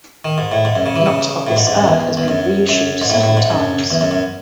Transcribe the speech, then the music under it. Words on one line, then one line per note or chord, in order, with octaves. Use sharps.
"Not of This Earth" has been reissued several times.
D#3
G#2
A2
G#2
F#2
C#3
E3
C#3
A2
G#2
G#2
F#2
E2
E2
F#2
F#2
G#2
A2
A2
G#2
F#2
E2
F#2
F#2